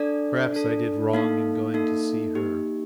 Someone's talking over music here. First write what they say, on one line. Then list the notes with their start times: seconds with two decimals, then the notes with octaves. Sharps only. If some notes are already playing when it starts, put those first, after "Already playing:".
Perhaps I did wrong in going to see her.
Already playing: D4 A4 D5
0.52 D4 A4
1.13 A#3 D#4 A4 F5
1.74 A#3 D#4 A4
2.34 A#3 D#4 G4